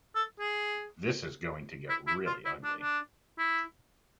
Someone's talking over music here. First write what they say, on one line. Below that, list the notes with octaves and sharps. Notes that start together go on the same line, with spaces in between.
This is going to get really ugly.
A4
G#4
E4
E4
F4
E4
D4
D4
E4